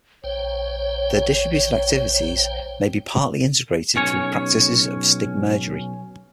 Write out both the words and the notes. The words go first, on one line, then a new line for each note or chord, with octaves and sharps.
Their distributed activities may be partly integrated through practices of stigmergy.
A#1 C5 C#5 G5
B1 C#4 C#5